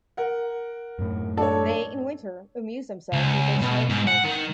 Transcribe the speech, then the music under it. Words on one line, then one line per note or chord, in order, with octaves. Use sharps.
They in winter amuse themselves with their snow-snakes.
A#4 F#5
F#2 A2
D4 A4 C#5 A5
C#2
B2
G#2
F#5
D#3